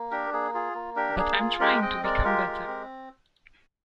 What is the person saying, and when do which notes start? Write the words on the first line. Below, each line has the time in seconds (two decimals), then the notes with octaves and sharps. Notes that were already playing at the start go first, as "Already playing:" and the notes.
But I'm trying to become better.
Already playing: A#3
0.11 D4 G4 A#4
0.32 A#3 G#4
0.54 F4 G#4
0.75 A#3
0.96 D4 G4 A#4
1.18 A#3 G#4
1.39 F4
1.60 G#3 G4 A#4
1.82 C4 D#5 G5
2.03 G#3 A#4 D5
2.24 F4 G4 A#4
2.46 G#3
2.68 C4